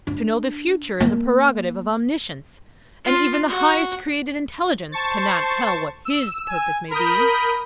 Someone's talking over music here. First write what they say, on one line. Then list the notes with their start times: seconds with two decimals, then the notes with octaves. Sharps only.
"To know the future is a prerogative of Omniscience, and even the highest created intelligence cannot tell what His purposes may be."
0.07 D4
1.00 A#3
3.05 F4
3.48 F#4
4.92 C5 A5 C#6 A6
6.05 E6
6.48 G#5
6.91 A#4 B5 D#6 G6